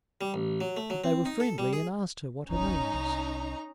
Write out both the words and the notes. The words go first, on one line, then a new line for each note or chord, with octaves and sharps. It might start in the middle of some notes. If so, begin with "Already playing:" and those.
But they were friendly and asked her what her name was.
G3
A1
F#3
A3
F#3
C4
D#4
A4
G3
G#4
D1 G#1 D#2 C#4 D#4 A#5
C2